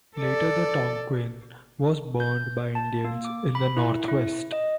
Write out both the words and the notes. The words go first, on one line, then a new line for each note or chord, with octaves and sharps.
Later the "Tonquin" was burned by Indians in the northwest.
A4 D5
G6
A5
A#3
D6
B5
E4
E4
D#5